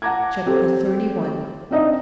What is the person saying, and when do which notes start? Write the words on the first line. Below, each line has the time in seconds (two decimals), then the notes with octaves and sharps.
Chapter XXXI.
0.02 F#5 A5 A#5 D6 G#6
0.46 C4 G4 A4 C5
1.71 C4 D4 D#4 D#5 E5